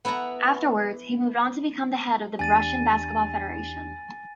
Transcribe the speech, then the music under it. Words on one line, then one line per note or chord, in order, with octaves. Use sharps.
Afterwards, he moved on to become the head of the Russian Basketball Federation.
B3 E4 F#5 A5 A#5
E2 D4 G4 G#5 A6 D#7